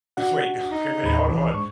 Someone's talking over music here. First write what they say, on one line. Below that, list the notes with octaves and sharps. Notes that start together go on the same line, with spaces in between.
Wait. Okay, wait, hold on hold on,
D4 F#4 F#5
D#4
D#2 A2 B5
C2 E3 D4
G#2 C#6